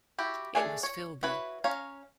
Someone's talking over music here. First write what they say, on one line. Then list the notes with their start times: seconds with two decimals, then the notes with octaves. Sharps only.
It was Philby.
0.18 E4 F#4 G4
0.55 A3 D4 G#4 G#5
0.83 C#5
1.23 E4 F#4 B4 C#5
1.64 C#4 C#5 F5 A#5